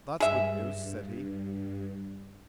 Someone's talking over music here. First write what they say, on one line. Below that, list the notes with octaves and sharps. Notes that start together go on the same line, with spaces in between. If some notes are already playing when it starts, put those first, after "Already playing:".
"That's good news!" said he.
G2 G#4 E5